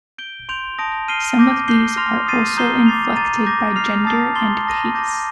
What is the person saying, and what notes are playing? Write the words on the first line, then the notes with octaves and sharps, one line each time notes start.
Some of these are also inflected by gender and case.
G6 D7 G7
C6 G6 D7 F7
A5 D#6 A#6 D7
F6 C7 D#7 G7
D6 G6 A#6
G6 C7 G7
C6 F6 A#6 F7
D#6 A6 C7 D#7
A#5 D#6 G6 C7 G7
D6 A6 C7 F7
A#5 D6 A6 D#7
D6 G6 A#6
F6 C7 F7
A5 D#6 A6 C7
C6 D#6 A6 C7 G7
A5 D#6 A#6 D#7
D6 G6 A#6